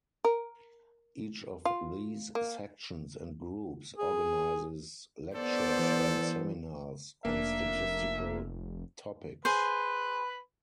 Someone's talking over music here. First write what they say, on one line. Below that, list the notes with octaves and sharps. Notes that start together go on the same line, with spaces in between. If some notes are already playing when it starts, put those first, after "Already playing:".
Each of these sections and groups organises lectures and seminars on statistical topics.
A#4
F4
A#3
G#4
B3 A4 C5 D5
E3
F1 A#3 D4 E5
G#4 B4 C5 B5